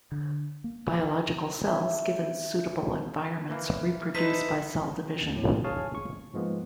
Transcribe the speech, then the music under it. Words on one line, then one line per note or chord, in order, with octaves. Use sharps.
Biological cells, given suitable environments, reproduce by cell division.
D3
A#3
E5
E3 A#3
D#4 E4 A4 B4 C5 D#5 B6
D#2
A2
G#4 C#5 F5 G#5 A5
C#6
G#2 F3 G#3 A#3 B3